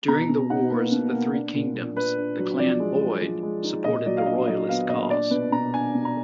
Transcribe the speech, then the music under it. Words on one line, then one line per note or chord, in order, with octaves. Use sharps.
During the Wars of the Three Kingdoms the Clan Boyd supported the royalist cause.
B2 A#5
B2
D#4 F#5
A#3 B4
B2
A#3
D4
A#2
A#2
D4 B4
D4
F#3
F3 D5
G#3
G#3
F3
G#3
D#4
A#2 D#5
F#3 D5
F5
D4 D#5
F#3 D#5
B3 F5
A#2 D#5
D4 D5
B2 B4
B2 A#5
D4 G#5
B2
A#5